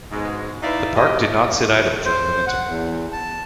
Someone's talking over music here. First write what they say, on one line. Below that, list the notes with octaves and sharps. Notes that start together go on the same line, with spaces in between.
The park did not sit idle during the winter.
G#2 B2 G#3
D#4 E4 B4 D5 E5 F5
G2 B2 G4 D#5
C5
F#5
E2
A5